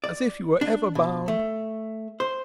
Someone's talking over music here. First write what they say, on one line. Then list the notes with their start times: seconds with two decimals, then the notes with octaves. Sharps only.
As if you were ever bound!
0.04 D5
0.61 D4
0.95 B2
1.28 A3
2.20 C5